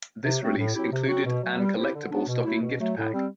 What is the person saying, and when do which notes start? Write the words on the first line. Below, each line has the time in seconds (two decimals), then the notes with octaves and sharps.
This release included an collectible stocking gift pack.
0.23 C3
0.40 F#3 A3 C4 F#4
0.57 A2
0.74 F#3 C4 E4 G4
0.91 C3
1.07 F#3 C4 F#4
1.25 B2
1.42 F#3 A3
1.59 G3
1.76 C4 E4 G4
1.94 D3
2.11 F#3 B3 D4
2.28 B2
2.44 F#3 A3 E4
2.61 B2
2.78 F#3 A3
2.96 A2
3.12 G3 C4